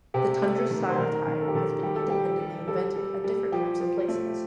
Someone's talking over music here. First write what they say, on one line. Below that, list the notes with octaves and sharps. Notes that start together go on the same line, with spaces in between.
The tundra-style tire has been independently invented at different times and places.
C3 G4
A3
A4
D#3
C5
D#3 A#4
D#3
A4
G4
D#3 A4
G3 G4
A4
G3 G4
G3
G3 A4
G3
G3
F3 G4
F3
A3